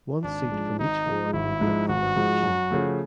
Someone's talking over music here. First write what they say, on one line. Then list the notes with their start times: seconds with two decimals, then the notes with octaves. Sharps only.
One seat from each ward will be up for election.
0.24 G#1 D4
0.52 G#2 F3 G#3
0.79 G#1 D#4
1.06 G#2 F3 G#3
1.33 G#1 E4
1.61 G#2 F3 G#3
1.88 G#1 F#4
2.16 G#2 F3 G#3
2.43 F#2
2.70 C#3 F3 A3